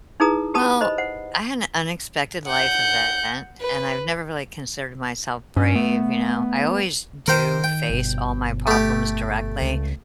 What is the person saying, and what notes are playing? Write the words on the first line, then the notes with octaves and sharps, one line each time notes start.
Well, I had an unexpected life event, and I've never really considered myself brave, you know, I always do face all my problems directly,
D#4 E4 G#4 B4 A#5 D#6
G4 B4 A5 B5 D#6
C5 D#5 B5
C5 F#5
F#5 G6
B4
G2 C#4
A3 B3
D#3 A#4 C5 G5
G5
G1 B2
A3 G4
C#2